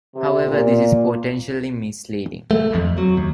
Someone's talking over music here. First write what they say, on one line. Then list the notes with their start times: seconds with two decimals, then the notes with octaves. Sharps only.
However, this is potentially misleading.
0.16 C3
0.47 A#2
2.51 A3
2.75 F2
2.98 F#3
3.17 D#2